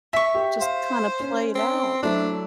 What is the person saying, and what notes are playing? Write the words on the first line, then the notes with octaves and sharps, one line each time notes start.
Just kinda play it out.
E5 C#6 B6
G4
C5 F5
C#4
C4
F#3 A3 D4 E4